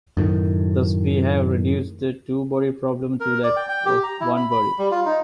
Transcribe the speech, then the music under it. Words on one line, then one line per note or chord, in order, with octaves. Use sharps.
Thus we have reduced the two-body problem to that of one body.
F#2 A2 D#3
A#4
D5
G5
G5
G4
A#5
E4
B5
B5
G3
F4
D#4